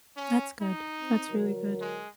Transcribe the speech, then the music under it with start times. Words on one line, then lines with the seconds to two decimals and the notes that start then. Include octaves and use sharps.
That's good. That's really good.
0.17 C#4
0.62 D#4
0.99 C4
1.29 D3 F#3 A#4
1.81 G#3